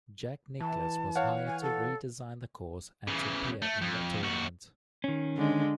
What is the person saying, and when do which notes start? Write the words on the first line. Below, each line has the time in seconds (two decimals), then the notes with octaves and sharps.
Jack Nicklaus was hired to redesign the course and to appear in the tournament.
0.60 E3 A5
1.16 C#5 F5 F#5
1.47 G#5
1.62 A4
3.08 C#3 E3
3.62 A3
3.81 F2
4.22 D#2 F#4
5.04 D#3 C#4
5.36 D3 G#3